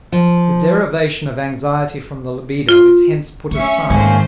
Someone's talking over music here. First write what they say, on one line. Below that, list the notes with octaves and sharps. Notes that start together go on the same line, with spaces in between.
The derivation of anxiety from the libido is hence put aside.
F3
F4
A3 C#4 E5 C#6
G#2 C3 D#3 A3 A#3 C#4 C5